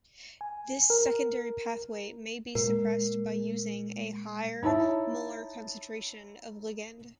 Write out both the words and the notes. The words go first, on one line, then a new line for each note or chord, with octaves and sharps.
This secondary pathway may be suppressed by using a higher molar concentration of ligand.
G#5
A#4
A#2 G#3 A#3 A#4
D#4 E4 C#5 A5